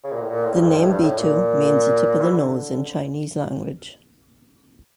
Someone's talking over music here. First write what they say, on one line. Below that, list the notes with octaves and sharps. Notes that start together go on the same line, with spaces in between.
The name "Bitou" means the tip of the nose in Chinese language.
C#3
A#2
A2
A#2
A2
G2
F2
G2
A2
G2
A2
A#2
E3
D3